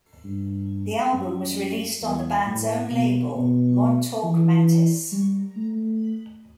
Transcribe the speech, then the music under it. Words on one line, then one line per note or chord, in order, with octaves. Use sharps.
The album was released on the band's own label, Montauk Mantis.
G2
F#2
E2
A2
B2
B2
E3
G3
A3